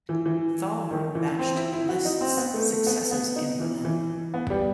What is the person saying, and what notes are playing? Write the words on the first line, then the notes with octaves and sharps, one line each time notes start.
Thalberg matched Liszt's successes in Berlin.
E3
E3
D#3
E3
C4
E4
E4
F#4
D#4
C4
B3
A3
A3
B3
B3
D#4
E3
E3
B3
G3